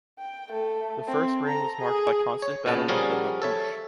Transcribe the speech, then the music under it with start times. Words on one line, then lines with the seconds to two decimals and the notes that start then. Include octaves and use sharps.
The first reign was marked by constant battle with the Mapuche.
0.19 G5
0.50 A3 A4
1.07 C4
1.44 A4 A#5
1.78 G#4
2.42 C#5
2.66 A#2 C#3 B3 A5
2.88 F3 G3 C#4 F#4 G#4 A#4
3.42 A4 C#5 E5